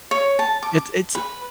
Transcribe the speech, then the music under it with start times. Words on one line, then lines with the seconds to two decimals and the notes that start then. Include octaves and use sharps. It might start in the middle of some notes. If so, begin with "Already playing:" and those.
it's it's
0.11 C#5
0.39 A5
0.63 D6
1.15 B4